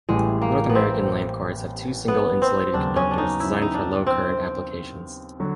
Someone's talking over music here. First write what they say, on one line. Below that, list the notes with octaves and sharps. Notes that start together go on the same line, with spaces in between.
North American lamp cords have two single-insulated conductors designed for low-current applications.
A1 A2 E3 G3 G#3
A#3
B3
C4
B3
C4
D#2 C#3 F#3 B3 D4
C#4
D4
D#4
E4
D#4
D4
C4
D3 F#3